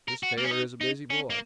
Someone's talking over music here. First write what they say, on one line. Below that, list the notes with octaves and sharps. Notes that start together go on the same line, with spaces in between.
This tailor is a busy boy.
A#4
F#4
A#3
C#4
D#4
D#4
C#4
A#3